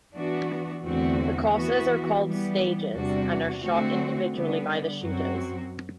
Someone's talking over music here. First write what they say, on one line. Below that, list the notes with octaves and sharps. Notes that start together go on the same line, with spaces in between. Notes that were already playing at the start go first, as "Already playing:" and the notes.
The courses are called "stages", and are shot individually by the shooters.
E3 B3 D4 F#4
E2 D3 A3 C4 F#4
E3 B3 F#4
E3 G3 B3
E2 C3 G3 D4 F#4
D3 A3 C4 F#4
D3 G3 B3
F#2 F#3 C4 F#4